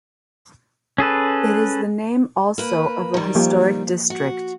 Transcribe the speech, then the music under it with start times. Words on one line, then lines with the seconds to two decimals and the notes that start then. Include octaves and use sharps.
It is the name also of a historic district.
0.98 C#4 G#4 A4 B4
2.58 A#3 B4
3.14 D#3 G3
3.35 F3 A#3 G4
4.10 F#4